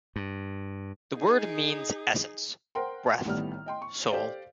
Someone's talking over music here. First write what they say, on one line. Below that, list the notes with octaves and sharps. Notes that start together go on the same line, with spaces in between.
The word means essence, breath, soul.
G2
D#4 G#4
A#4 C5 F#5 G5 C6
A1 A2 D#3 G3 B3 F6
D#5 G5 C6
C#6
G4 A4 C5 D5 F5